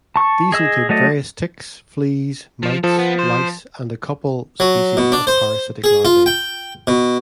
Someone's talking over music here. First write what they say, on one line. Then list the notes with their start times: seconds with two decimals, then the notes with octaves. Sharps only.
These include various ticks, fleas, mites, lice, and a couple species of parasitic larvae.
0.16 A5 C#6
0.52 G#4 D#5 E6
0.89 F#3 A3 D5 D#5
2.63 F3
2.84 F3 A4
2.99 B3
3.19 C5
4.60 F#3
4.97 B2
5.12 D4
5.27 C5
5.84 G#4
6.05 F4
6.26 G5
6.87 B2